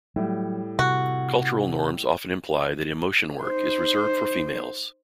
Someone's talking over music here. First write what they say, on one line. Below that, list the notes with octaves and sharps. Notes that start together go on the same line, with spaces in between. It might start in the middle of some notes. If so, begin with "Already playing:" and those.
Cultural norms often imply that emotion work is reserved for females.
A2 F#3 G3
C3 F#4
D#4 C5